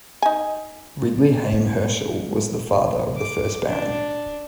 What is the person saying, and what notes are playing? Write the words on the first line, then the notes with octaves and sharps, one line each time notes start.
Ridley Haim Herschell was the father of the first Baron.
D#4 G#5
D6
D4